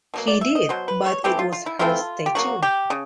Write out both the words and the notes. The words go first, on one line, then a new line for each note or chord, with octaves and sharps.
He did, but it was her statue.
B2 F#3 A#3
D5
E5
D#5
B2 F#3 C5
B4
C#5
E3 A3 C4 E4 G4
F4
F4
E4
E3 A3 C4 E4 F4
G4
C#3 F#3 A#3 F#4
G4
C#3